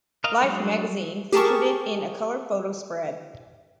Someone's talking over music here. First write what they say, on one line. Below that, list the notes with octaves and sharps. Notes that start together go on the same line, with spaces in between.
"Life" magazine featured it in a color photo spread.
A#4 D#5 F5
F#3 G#3 D4
G4 G#4 A#4 A5 C#6